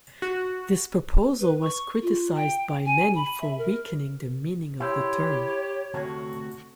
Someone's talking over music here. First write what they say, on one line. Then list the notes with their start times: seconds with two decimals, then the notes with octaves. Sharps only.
This proposal was criticized by many for weakening the meaning of the term.
0.22 F#4
1.40 B4
1.61 C#6
2.02 F4
2.36 G5
2.86 G#5
3.15 B5
3.41 E5
3.58 A#4
4.80 E4 G4 C5 C#5
5.94 D2 C3 A3 F#4